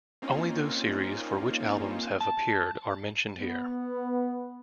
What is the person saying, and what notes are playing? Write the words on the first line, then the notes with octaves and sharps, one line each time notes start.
Only those series for which albums have appeared are mentioned here.
A#3 C4 C#4 D#4 F4
A5
B3